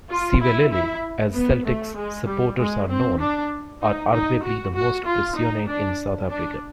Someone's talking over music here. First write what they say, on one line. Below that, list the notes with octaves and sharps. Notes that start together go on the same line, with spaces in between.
"Siwelele", as Celtic's supporters are known, are arguably the most passionate in South Africa.
F4
E4
E4
B3
A3
G#3
G3
G#3
C4
D4
D#4
D#4
F#4
F#4
F4
D#4
D4
D4